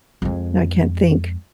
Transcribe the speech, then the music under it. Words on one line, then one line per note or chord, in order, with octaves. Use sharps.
I can't think.
F2 G#3